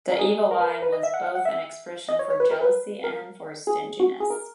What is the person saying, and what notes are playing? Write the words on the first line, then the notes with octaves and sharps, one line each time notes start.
The evil eye was both an expression for jealousy and for stinginess.
A#4
G#4
A#4
B4
A#4
B4
D#5
E5
F#5
F#5
F#5
E5
D#5
C#5
C#5
B4
A#4
B4
A#4
G#4
F#4
G#4
A#4